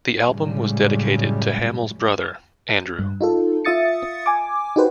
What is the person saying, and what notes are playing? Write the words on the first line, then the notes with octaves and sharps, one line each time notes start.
The album was dedicated to Hammill's brother, Andrew.
F#2 A2 C#3 G3 G#3
G2
D#4 F4 A4
F4 E5 D#6 A6 C#7
G#5 D6
D#4 F#4 G4 B4 C5